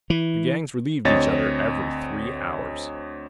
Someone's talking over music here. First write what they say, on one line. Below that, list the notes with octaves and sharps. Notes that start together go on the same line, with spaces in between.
The gangs relieved each other every three hours.
E3
D2 C4 C#5 D#5 A6